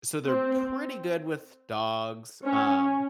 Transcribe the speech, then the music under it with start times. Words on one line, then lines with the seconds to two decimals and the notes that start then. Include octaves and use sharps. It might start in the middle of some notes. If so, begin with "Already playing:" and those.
so they're pretty good with dogs. Um,
0.26 C4
2.44 C#4